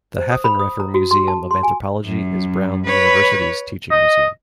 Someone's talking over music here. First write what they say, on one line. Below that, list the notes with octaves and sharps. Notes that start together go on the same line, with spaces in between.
The Haffenreffer Museum of Anthropology is Brown University's teaching museum.
C5
D#6
B5
D#6
A#5
F#4
C6
A5
C6
G#5
F#2
B4 C#5
D#5